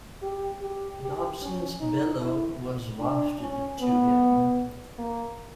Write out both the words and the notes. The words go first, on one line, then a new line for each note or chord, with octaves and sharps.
Dobson's bellow was wafted to him.
G4
G4
G4
C#4
D#4
E4
D4
C#4
B3
A#3